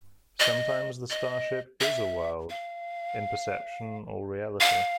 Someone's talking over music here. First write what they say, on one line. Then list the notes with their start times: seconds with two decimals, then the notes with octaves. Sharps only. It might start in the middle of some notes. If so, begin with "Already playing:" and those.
Sometimes the starship "is" a world, in perception or reality.
0.40 D#5
1.10 D#5
1.81 E5
2.50 F5
4.60 F5